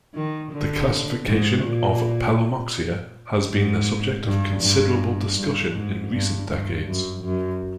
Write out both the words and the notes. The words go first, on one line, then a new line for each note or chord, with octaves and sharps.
The classification of "Pelomyxa" has been the subject of considerable discussion, in recent decades.
D#3
D3
G#2
A#2
G#2
G2
G2
G2
G#2
G2
G2
F#2
F#2